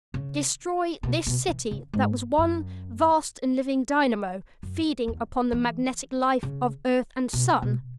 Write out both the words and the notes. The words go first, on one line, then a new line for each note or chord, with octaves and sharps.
Destroy this City that was one vast and living dynamo feeding upon the magnetic life of earth and sun!
C#3
B2
B2
E3
C#3
G#2
F#2
F#2
E2
E3
C#3
B2
B2